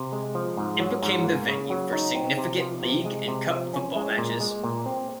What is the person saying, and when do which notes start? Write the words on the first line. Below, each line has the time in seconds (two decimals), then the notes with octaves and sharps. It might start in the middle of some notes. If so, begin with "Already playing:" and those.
It became the venue for significant league and cup football matches.
Already playing: C3
0.12 G#3
0.35 F3
0.57 G#2
0.80 F#3
1.02 G#2
1.25 A#3
1.48 C#3
1.70 F#3
1.93 D#4
2.15 C4
2.37 C3
2.60 F3
2.83 C3
3.05 G#3
3.28 C3
3.50 F3
3.73 C#4
3.96 G#3
4.18 A#2
4.41 G#3
4.64 A#2
4.86 C4